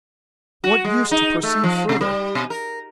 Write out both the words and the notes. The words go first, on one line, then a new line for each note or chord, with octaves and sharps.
What use to proceed further?
F#4
G#3
D#4
A3
F3
C3
G3
B2
A#4